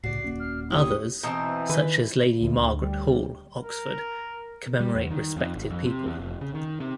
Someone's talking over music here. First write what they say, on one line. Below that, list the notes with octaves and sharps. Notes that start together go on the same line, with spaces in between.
Others, such as Lady Margaret Hall, Oxford, commemorate respected people.
C#2 A2 F#4 D5 C7
D#1 A#3 C#4
F6
E4 G4 C#5 D#6
B2 E3 C4 D#4 A#5 E6
D#3 B4
D2
G3
A#4
G3
E2
D#3
F2
G#1
F2
C3
E2
F1
C#3
D#3
C3